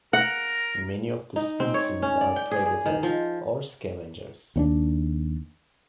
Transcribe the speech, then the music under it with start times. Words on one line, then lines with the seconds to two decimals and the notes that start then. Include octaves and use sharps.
Many of the species are predators or scavengers.
0.13 A#4 F#5
1.36 D#4
1.60 C4
1.74 C#5
2.02 C#4
2.21 D5
2.36 G5
2.51 G#4
2.66 G#4
2.86 D#3
3.03 F3
4.56 D#2 C#4 D4